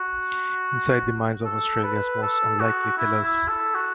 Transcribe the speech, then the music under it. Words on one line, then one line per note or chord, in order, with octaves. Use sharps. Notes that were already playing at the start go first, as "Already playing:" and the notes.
Inside the Minds of Australia's Most Unlikely Killers.
Already playing: F#4
A4
B4
A4
F#4
E4
E4
A4
F#4